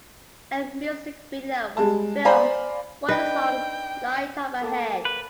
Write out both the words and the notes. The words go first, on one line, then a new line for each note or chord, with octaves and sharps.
A music video was filmed for the song Light Up Ahead.
G3 G#3 A5
C5 D5 F5 G#5 A#5 B5
D4 D#4 B4 G5
A#3 A4 A5
B4